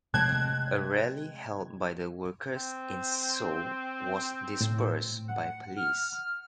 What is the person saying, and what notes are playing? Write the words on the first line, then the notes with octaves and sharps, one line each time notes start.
A rally held by the workers in Seoul was dispersed by police.
C3 F3 G#3 A3 C4 A5 F#6 G#6
C4
A2
F#5
F6